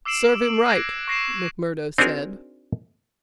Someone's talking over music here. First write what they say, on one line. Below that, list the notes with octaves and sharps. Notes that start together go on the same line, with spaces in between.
"Serve him right," Macmurdo said.
D6 E6 C7 D7 E7 F#7
D7 F#7
F#6 G#6 A#6 C7 D7
C#6 F#6 A#6 C7 D7 E7
C4 D4 D#4 F#4 G#4 A#4